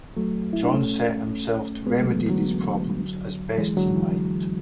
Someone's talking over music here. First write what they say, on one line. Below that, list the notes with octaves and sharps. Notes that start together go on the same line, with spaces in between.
John set himself to remedy these problems as best he might.
F#3 A3
E4
D4
A3 C#4
G#3 B3
F#3 A3
E3
D3 F#3
E3 G#3
D3 F#3
E3